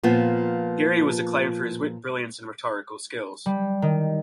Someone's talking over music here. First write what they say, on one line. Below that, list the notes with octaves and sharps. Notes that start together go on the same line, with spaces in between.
Here he was acclaimed for his wit, brilliance, and rhetorical skills.
A#2 F3 B3 F4
G3
D#3